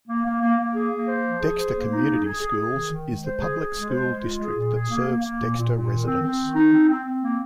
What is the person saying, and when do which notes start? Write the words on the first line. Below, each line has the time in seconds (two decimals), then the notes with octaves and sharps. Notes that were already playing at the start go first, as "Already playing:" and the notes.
"Dexter Community Schools" is the public school district that serves Dexter residents.
0.08 A#3
0.25 A#3
0.42 A#3
0.59 A#3
0.75 G#4
0.92 A#3
1.08 C5
1.25 F3
1.41 G#4
1.58 C5
1.75 A#3
1.91 D#4
2.08 G#4
2.25 G#4
2.41 G#4
2.57 G#4
2.74 D#3
2.91 D#3
3.07 G#3
3.25 C5
3.41 G#4
3.57 G#4
3.74 G#3
3.91 C5
4.07 G#3
4.23 F4
4.40 G#4
4.57 A#2
4.73 G#4
4.90 A#3
5.07 A#3
5.23 A#3
5.39 A#2
5.57 A#2
5.73 A#2
5.90 D#3
6.06 C4
6.22 C4
6.39 D#3
6.55 D#4
6.72 C4
6.89 C4
7.05 C4
7.22 A#3